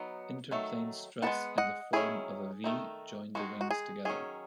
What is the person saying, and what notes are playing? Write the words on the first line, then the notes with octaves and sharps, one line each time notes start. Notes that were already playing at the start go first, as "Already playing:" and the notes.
Interplane struts in the form of a "Vee" joined the wings together.
Already playing: F#3 B3 D#4
D#3 F#3 A3
G#3 B3 D#4 F#5 A5
D#5 F#5
D#3 F#3 C#4 E4 G#4
D#3 A3 D#4
D#3 G#3 B3 D#4 F#4
F#4
G#4
D#3 F#3 C#4 G#4